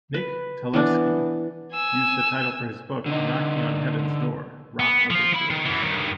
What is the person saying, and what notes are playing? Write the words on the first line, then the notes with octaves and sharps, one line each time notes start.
Nick Talevski used the title for his book, Knocking On Heaven's Door: Rock Obituaries.
B4
E3 B3 D4
G#5 E6
D3 D#4
B3
F3 F4
E4 B5
D#3
F#2 E3
G2 D#3